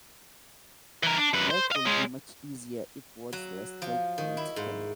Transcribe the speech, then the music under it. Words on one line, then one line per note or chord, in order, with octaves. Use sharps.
Life would be much easier if words were spelt phonetically.
E3 A#4
D4
F#2 B4
C5
D#5 F5
G#3 C#4
F#3
F3
D#3
E4
G#2